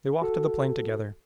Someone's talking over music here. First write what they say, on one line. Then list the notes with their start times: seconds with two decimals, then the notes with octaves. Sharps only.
They walked to the plane together.
0.22 F#4 A4